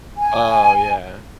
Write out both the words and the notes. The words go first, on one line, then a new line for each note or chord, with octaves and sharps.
Oh, yeah.
G#5